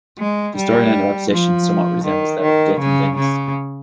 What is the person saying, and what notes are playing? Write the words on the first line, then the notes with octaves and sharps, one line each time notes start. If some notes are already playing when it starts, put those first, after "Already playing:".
The storyline of obsession somewhat resembles that of "Death in Venice".
G#3
G3
F3
D#3
D#3
C#3
C#3